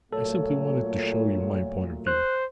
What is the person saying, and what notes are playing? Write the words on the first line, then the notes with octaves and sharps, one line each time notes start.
I simply wanted to show you my point of view.
A#2 F#3 A3 A4 C#5
C5 F#6